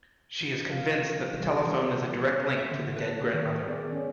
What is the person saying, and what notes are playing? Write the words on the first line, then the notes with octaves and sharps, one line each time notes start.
She is convinced that the telephone is a direct link to the dead grandmother.
F3 F4 F#4 F5
C3 E3 G3
E3 G3 B3 G4 G#4
E5
D3
A4 B4
D#3
B3 G#4 D5
C#4